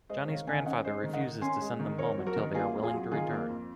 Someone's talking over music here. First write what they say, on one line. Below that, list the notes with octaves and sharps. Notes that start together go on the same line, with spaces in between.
Johnny's grandfather refuses to send them home until they are willing to return.
G#3 C5 D#5
D#3 C#5 F5
D#3 F5 G#5
C#4 D#5 F#5
G#3 C5 D#5
D#3
D#5 F#5
D#3
C#4 G#5 C6
G#3
D#3
F2 A#4 C#5
F#3
F#4 A#4
D#3
A#3 F4 G#4
F2
F4 G#4
F#3
D#3 F4 G#4
A#3
F2